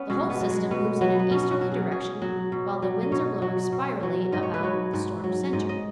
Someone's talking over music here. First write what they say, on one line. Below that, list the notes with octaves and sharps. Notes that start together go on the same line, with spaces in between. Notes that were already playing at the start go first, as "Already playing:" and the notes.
The whole system moves in an easterly direction, while the winds are blowing spirally about the storm center.
Already playing: B3 C#4
B2 G#3
B3
F#3
G#3
B2 B3
F#3 B3
B3
B2 C#4
F#4
F#3
G#4
B2 G#4
F#3
B2
F#3
D#5
B2 C#5
F#3
B2
F#3
G#2 D#5
C#5
B4
F#3 C#5
G#2
F#3
G#2 D#5
D#5